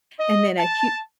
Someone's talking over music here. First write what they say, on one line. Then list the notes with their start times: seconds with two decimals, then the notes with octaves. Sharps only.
and then a hu
0.19 D#5
0.58 A5